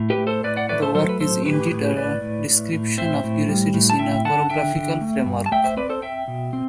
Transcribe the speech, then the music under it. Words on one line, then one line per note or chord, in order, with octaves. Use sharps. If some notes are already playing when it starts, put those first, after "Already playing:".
The work is indeed a description of curiosities in a chorographical framework.
Already playing: A2
G4 B4
A3
A4 C5
A2 B4 D5
D5 F#5
A3 B4 D5
A4 C5
F#3 A4 C5
B4
A2 A4 C5
A2 G4 B4
A2
A2 B4 D5
A2
A2
A2
C4 C5 E5
A2
G3
A2
A5
C4 E5 G5
D3 F#5 A5
D3 E5 G5
D3
A3
G2
A5
A3 E5 G5
C5 E5
C4 B4 D5
A4 C5
C4 E5 G5
B2
C4